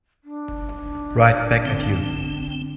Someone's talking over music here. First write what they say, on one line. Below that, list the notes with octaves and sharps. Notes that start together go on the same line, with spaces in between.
Right back at you.
D4
D3 C4